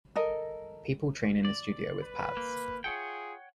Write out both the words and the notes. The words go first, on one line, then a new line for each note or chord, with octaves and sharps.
People train in a studio with pads.
A4 A#4 D#5
D5
B4
A#3
F4 G#4 C#5 F#5 G5